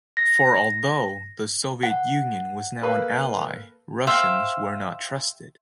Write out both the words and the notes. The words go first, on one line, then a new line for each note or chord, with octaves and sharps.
For although the Soviet Union was now an ally, Russians were not trusted.
A#6
F#5
A#3 A4 B4 F5
C5 E5 F5 G5